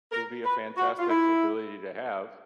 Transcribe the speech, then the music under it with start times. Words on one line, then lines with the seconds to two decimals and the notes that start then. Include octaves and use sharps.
It would be a fantastic ability to have.
0.12 A#4
0.45 B4
0.77 F#4
0.99 F4
1.09 E4